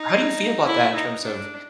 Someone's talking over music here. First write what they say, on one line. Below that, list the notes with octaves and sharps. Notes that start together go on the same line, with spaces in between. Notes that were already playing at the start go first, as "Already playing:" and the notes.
how do you feel about that in terms of
Already playing: D#4
E4
D#4
D4